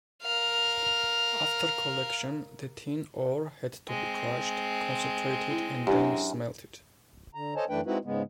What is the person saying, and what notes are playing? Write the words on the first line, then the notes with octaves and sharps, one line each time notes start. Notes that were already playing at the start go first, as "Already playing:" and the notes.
After collection the tin ore had to be crushed, concentrated and then smelted.
A#4 F5
G#3 C4
E4
F#2 D4 E4 G4
D3 A#5
A4 C5 C#5 D#5 G#5 A5
F#2 E3 A3 D4 B4 G5
G#3 C4 D#4 E4 F#4 B4
G#2 C#3 G#3 B3